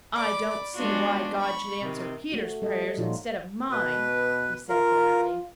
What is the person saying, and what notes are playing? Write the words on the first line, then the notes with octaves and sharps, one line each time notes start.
"I don't see why God should answer Peter's prayers instead of mine," he said bitterly.
D5 B5 D6
G#3 B3 C#4 D4 F4 F#4
B5 C#6
C3 D#3
A3 F#4
G3 A4 D#5
A#2 F3 D#4 F4 F#4 C#5
B2 B4
F4 A#4